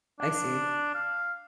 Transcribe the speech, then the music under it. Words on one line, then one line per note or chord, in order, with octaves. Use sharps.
I see.
D4
F5